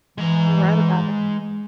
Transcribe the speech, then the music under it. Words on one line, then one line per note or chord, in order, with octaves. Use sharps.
You're right about it.
E3 G#3 A#5